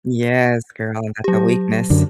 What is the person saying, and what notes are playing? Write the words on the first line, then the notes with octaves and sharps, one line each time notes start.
Yes, girl, that's a weakness.
F#3 G4
F#2 D3